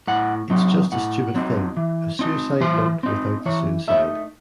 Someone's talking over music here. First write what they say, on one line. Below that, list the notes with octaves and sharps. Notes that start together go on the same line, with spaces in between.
It's just a stupid thing-a suicide note without the suicide.
A2 F#5
F#3 C4 D#4
A2 F#5
F#3 C4 D#4
E3
C4 D#4
E3 C5
C4 D#4
E3 C#5
A3 D#4 E5